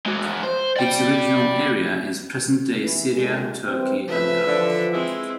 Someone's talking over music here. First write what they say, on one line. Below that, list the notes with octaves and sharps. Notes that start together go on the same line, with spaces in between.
Its original area is present-day Syria, Turkey, and Iraq.
G#3 F#4
C5
D5 G5
E3
A#2 D3 G#3
E3 G3 C4
A2 C#3 F3 B4 E5
D3 E3 F3
G#3 C4 E4